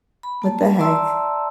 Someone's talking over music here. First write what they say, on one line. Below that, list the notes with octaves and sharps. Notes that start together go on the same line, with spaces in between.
What the heck?
B5
A#3 A5
D5 E5 A5 A#5 C6 E6